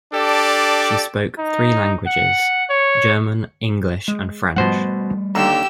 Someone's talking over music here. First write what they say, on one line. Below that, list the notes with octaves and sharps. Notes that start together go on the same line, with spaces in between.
She spoke three languages: German, English, and French.
D4 G4 A4 D5
D#4
F#5
C#5
G#3
G#2 B2 F3 G3 A3 C5 F#5
D#2 D3 G4 A#5 E6 E7